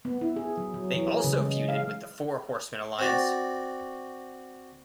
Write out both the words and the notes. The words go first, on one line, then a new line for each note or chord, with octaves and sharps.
They also feuded with the Four Horsemen alliance.
B3
E4
G#4
F#3
F#3
E3
G#4
C#3
G#3
F5
C4 F#4 D5